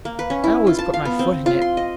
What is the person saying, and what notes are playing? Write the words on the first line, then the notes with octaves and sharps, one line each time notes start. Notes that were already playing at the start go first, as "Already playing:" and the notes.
I always put my foot in it.
A#3
B4
C#4
E4
F4
A5
F5
B3
C4
F4
C6
D#5